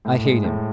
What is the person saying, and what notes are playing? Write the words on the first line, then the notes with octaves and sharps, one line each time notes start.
I hate him!
A2
G#3
A2